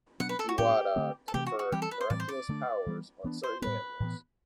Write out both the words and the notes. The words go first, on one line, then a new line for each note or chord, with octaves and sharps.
Tirawa conferred miraculous powers on certain animals.
B2 F#3 B3 D4 F#5
B4
A4
F#4
A2 F#3 B3 D4 G4
D3 A3 C4
A4
C3 E3 A3 C4 G4
F#4
F#4
E3 G3 C4 G4
A4
B4
C5
A2 E3 G3 C4 D5
C5
D5
D3 A3 D4
E3 G3 B3
E3 B3 D4
C5
A2 G3 B3 B4
A2 E3 B3